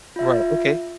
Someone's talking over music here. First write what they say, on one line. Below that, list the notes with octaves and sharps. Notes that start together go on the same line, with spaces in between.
Right, okay,
F4 E5